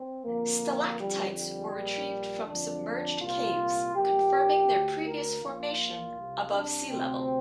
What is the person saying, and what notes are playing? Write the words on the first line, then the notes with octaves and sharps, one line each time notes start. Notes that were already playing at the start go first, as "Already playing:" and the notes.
Stalactites were retrieved from submerged caves, confirming their previous formation above sea level.
Already playing: C4
F2 D3 A#3
F2 D3 G3
G3
A#1 A#2
F2 D3 D4
C2 A#2 F4
A#1 A#2 G4
D2 D3
A#4
A#1 A#2 F4
C2 C3
D4
D2 C3 C4